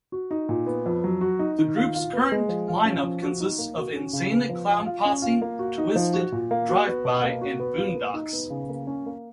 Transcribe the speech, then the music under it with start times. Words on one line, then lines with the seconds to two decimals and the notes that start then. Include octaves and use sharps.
The group's current lineup consists of Insane Clown Posse, Twiztid Drive-By, and Boondox.
0.12 F#4
0.31 D#4
0.49 A#2
0.66 B3
0.86 F2
1.04 F#3
1.21 F#4
1.39 D#4
1.59 D#3
1.76 F4
1.95 F4
2.13 B3
2.32 G#3
2.49 F3
2.68 F4
2.85 C#4
3.03 F3
3.22 F#4
3.40 D#4
3.58 A#3
3.77 F#4
3.96 C#4
4.13 C#3
4.32 B3
4.49 F3
4.69 F4
4.86 F4
5.05 C#4
5.22 F4
5.42 A#3
5.59 F#4
5.78 D#4
5.96 F3
6.14 F#4
6.32 A#2
6.51 A#3
6.69 F#4
6.87 B3
7.05 B2
7.23 A#3
7.41 F#4
7.60 B3
7.78 F4
7.96 A#3
8.14 D#4
8.33 B3
8.50 C#3
8.69 A#3
8.87 C#4
9.06 A#3